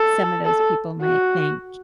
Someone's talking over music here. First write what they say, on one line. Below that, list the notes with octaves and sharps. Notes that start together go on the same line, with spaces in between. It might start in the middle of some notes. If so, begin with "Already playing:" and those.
some of those people might think,
Already playing: A4
A4
F#4